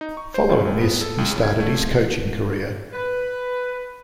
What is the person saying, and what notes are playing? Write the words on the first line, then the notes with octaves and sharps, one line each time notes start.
Following this, he started his coaching career.
D#4
C#6
C5
C#2
C#2
B3
A4
C#2
C#3
G#6
A3
F3
B4